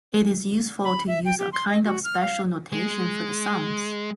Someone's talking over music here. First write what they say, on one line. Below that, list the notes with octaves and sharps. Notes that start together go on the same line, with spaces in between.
It is useful to use a kind of special notation for the sums.
B5
E5
G5
G4
C6
D#5
F#4
F6
F5
G#3